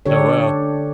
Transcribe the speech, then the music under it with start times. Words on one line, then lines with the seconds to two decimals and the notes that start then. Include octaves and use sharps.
Oh, well.
0.06 D3 D4 G4 A4 C#5